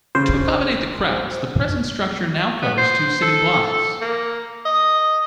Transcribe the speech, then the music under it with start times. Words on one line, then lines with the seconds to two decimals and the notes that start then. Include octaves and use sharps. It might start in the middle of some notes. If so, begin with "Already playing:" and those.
To accommodate the crowds, the present structure now covers two city blocks.
0.15 C#3 C5
2.62 B3
2.77 C5
3.22 A4
4.01 A#3
4.65 D#5